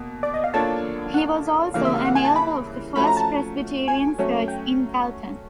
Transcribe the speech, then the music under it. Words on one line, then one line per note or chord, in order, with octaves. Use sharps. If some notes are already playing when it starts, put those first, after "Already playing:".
He was also an elder of the First Presbyterian Church in Dalton.
Already playing: B2 A#3
D5
D#5
F5
A#3 D4 F4 A4 C#5 A5
F#5
C#3 E3 G3 A#3 F5
E5
F5
F#5
G#5
A5
B5
F3 A3 C#4 F#4 B5
A#5
A5
G#5
F#3 A3 C#4
G5